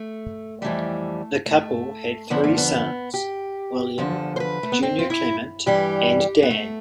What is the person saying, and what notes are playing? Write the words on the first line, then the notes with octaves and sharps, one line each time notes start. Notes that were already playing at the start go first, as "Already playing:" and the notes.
The couple had three sons, William, Junior Clement and Dan.
Already playing: A3
F2 E3 G3 A3
A3
E2 D3 F3 B3
A3
B3
G4
E2 D3 F3 A4
C5
B4
A3
B3
C4
F4
E4
G2 E3 G3 G4
B3
A3